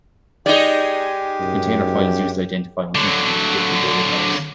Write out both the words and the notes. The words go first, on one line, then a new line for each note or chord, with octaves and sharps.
The container file is used to identify and interleave different data types.
G#3 D#4 G4 G#4 D5 D#5
F#2
D3 F#3